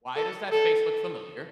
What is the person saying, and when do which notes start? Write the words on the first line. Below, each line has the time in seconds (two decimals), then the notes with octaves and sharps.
"Why does that face look familiar?"
0.16 A4
0.52 A4